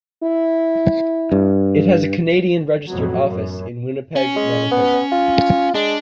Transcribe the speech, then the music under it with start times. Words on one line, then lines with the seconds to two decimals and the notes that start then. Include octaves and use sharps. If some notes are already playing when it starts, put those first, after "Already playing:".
It has a Canadian registered office in Winnipeg, Manitoba.
0.23 E4
1.32 G2
2.90 A1 F2 B2 F#3
3.25 F#2
4.16 C#4
4.36 G#3
4.71 B3
5.12 F4
5.74 G#3 D4